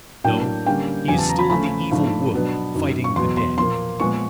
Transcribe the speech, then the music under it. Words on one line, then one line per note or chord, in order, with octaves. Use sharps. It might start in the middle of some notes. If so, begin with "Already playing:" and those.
"No; he is still in the Evil Wood, fighting the dead."
A2 F#3 A#3 D4 G5
D3 G3 A#3 C#4 G5
E2 C#3 F#3 G#5
A5
A#5
B5
C#3 F3 A3 C#4 B5
G#2 F3 A3 D4
B2 F#3 B3 D4
F#2 D#3 F#3
C#6
E2 B2 F#3 C6
C6
A#2 F3 A#3 C6
A#2 F3 G#3 B3 C#6